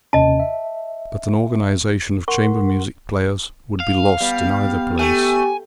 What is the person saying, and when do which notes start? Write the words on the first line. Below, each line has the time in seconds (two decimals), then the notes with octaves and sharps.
But an organization of chamber-music players would be lost in either place.
0.13 D#2 C3 C#4 D#5 A5
0.40 E5
2.28 A#4 F#5 C6 C#6
3.80 F5
4.20 G3 B3
4.99 A3 G4 G#5